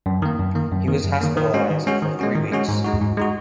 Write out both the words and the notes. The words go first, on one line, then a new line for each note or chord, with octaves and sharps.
He was hospitalized for three weeks.
F#2
D#3 A#3
F#2
D#3 A#3
F#2
D#3 A#3
F#2
D#3 A#3
D#3
G#3 C#4 F#4
D#3
G#3 C#4 F#4
D#3
G#3 C#4 F#4
D#3
G#3 C#4 F#4
G#2
G#3 D#4 F#4
G#2
G#3 D#4 F#4